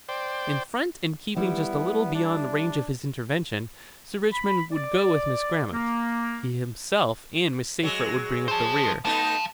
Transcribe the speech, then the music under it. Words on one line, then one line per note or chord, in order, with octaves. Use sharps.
In front and keeping just a little beyond the range of his intervention, Sir Richmond would go with Miss Grammont; he himself and Miss Seyffert would bring up the rear.
C5 D5 G5
G3 B3 E4
D4
B5
D5
A#3
F#3 G#3
C5 A5
A3 B3 D#4 F5 A5